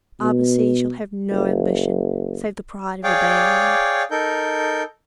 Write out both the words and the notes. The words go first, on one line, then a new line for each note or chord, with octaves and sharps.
Arbaces shall have no ambition, save the pride of obeying thee.
B2
F#1
G#4 C#5 D5 F5 G5 D6
D#4 A4 A#4 G6